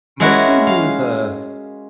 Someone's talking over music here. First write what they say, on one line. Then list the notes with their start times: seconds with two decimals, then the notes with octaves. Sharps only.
mostly use, uh,
0.20 G#3 C#4 E4 F#4 A#4
0.67 F5